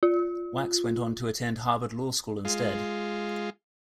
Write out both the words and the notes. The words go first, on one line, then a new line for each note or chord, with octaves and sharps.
Wax went on to attend Harvard Law School instead.
F4
G#3 F4